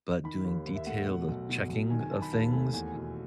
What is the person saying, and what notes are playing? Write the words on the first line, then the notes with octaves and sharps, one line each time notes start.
But doing detailed checking of things,
D#3 B5
D#2
D#2
E5
A3 F#5
B2 F#5
B1
B2
B1
D#3 G#5
G#5
D#3 A5
B5
D#2 A5
A3 G#5
E2 G#5
B2